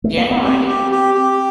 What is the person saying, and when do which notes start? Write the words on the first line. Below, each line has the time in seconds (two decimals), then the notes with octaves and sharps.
Yeah, yeah.
0.04 A3
0.17 A#3
0.31 B3
0.44 C4 G4
0.68 G4
0.92 G4
1.15 G4